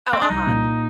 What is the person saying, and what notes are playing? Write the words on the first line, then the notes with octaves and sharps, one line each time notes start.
Oh, uh-huh.
C4
D4
C2 D#4
A#2